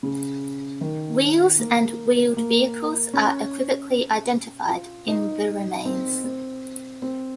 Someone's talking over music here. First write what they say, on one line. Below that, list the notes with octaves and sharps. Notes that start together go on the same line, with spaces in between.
Wheels and wheeled vehicles are equivocally identified in the remains.
C#3
D#3
A#3
A#3
C#4
F4
D#4
C4
C4
C4